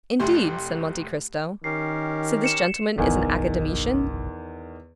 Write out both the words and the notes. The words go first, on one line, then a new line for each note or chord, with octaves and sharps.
"Indeed?" said Monte Cristo; "so this gentleman is an Academician?"
F1 C2 A3 G4 C6
D#3 C#4 G4 A#4 C7
C#7 E7
F#1 B1 E2 D#3 G#5